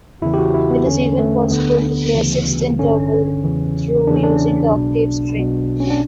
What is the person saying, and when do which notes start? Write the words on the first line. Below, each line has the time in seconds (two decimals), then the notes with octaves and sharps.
It is even possible to play a sixth interval, through using the octave string.
0.22 E2 C#3 E3 E4
0.34 G4
0.38 F#4
0.54 E4
0.71 B3
0.86 E2 D3 C#4
1.19 A3
1.50 D2 D3 B3
2.15 D2 C#3 E3
2.79 A1 G2 D3 C#4
3.43 E2 C#3 E3
4.07 E2 C#3 E3 D4
4.16 C#4
4.23 D4
4.72 B1 B2
5.36 B1 B2
5.80 C#4
5.91 D4